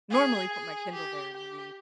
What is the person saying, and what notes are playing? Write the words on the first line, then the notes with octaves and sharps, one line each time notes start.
normally put my Kindle there and read
G#4
G#4
G4
G4